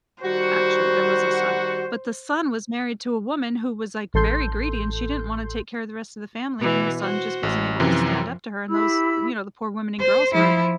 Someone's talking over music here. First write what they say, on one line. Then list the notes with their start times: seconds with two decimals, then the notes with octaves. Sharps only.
actually, there was a son. But the son was married to a woman who was, like, very greedy, and she didn't wanna take care of the rest of the family, and the son just wasn't able to stand up to her, and those th you know, the poor women and girls were
0.23 D#3 G3 F#4 C5
4.14 A1 A4 C6 G6
6.60 B2 E3
7.00 F#4 C5
7.43 A1
7.80 F#2 C3 E3 F3
8.70 E4 G4 B5 E6
10.00 C5
10.33 F3 E4